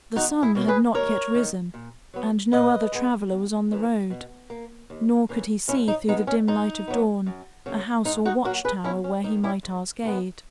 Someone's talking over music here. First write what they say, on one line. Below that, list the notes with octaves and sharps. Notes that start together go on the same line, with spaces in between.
The sun had not yet risen and no other traveler was on the road, nor could he see through the dim light of dawn a house or watch-tower where he might ask aid.
E2 D#4 F#4
E4 G#4
B2 F#3 A#3
G#4 B4
D#2 A#4 C#5
D#3 A#3
A#2
F#3 B3
A#2 B4 D#5
G#3 B3
E2
C#3 E3 A#3
B2
A#3
D#2
C#3 E3 A#3
G#2 C#4 E4
D#4
D#3 G#3 B3 D#4
C#4
G#2 D#4
F#3 B3
F#2
C#3 F#3 A#3
G#2 D#4
D#4 F#4
F#3 A#3 F#4 A#4
G#4 B4
E2 C#4 E4
C#4
D#3 A#3 D#4
C#4 E4
G#2
D#3 G#3 B3